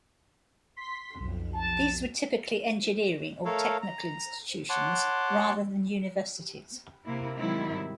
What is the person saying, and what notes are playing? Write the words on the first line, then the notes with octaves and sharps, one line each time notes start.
These were typically engineering or technical institutions rather than universities.
C6 B6
B1 F2
A5
A3 A4 A#4 C#5 F5
A#5
C#5 F#5 A5 C6 D6
C3 A#3 E4
G#2 C3 D#3 F#3 G3 E4